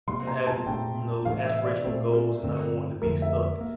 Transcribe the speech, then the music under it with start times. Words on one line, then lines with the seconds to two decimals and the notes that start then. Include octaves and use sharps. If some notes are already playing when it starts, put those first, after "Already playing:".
uh, having, you know, aspirational goals and not wanting to be stuck
0.07 C3 G3 A#3 C6
0.27 A#5
0.47 A5
0.66 A#2 A3 D4 G5
1.25 A2 E3 A3 D4 F5
1.45 E5
1.64 D5
1.84 A#2 A3 C4 C5
2.13 A#4
2.43 G2 D3 A3 C4
3.02 F2 D3 F3 A3 A#4
3.22 E5
3.61 A#3